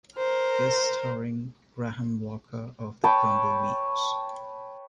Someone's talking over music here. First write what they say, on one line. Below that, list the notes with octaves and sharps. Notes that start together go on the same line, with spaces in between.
Guest starring Graham Walker of The Grumbleweeds.
A#4 C5
B4 C#5 G5 A5